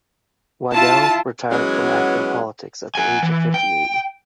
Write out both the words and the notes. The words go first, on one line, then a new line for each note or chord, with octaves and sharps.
Wiegel retired from active politics at the age of fifty-eight.
E4 F4 A5
E3 F#3 G#3 B3 C#4
F#5 G#5
E3
G5